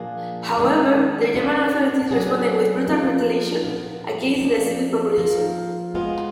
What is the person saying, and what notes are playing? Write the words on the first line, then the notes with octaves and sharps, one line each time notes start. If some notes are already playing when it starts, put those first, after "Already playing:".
However, the German authorities responded with brutal retaliation against the civil population.
Already playing: A#2 F3 A#3 D4 G#4
D#3 G#3 B3 D4
B3 D4 F4
F#3 B3 D4 G#4
F3 A#3 F4
A#2 F3 B3
F3 A#3 F4 G#4 D5
F3 A#3 F4 A#4
G#3 B3 F4